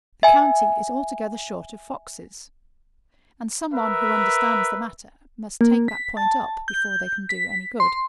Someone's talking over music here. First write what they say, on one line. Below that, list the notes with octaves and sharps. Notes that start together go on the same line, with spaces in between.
The county is altogether short of foxes, and some one who understands the matter must take that point up before they can do any good.
E5 G#5
A#4 B4 E5
A#3
B6
A5
G6
B6
C6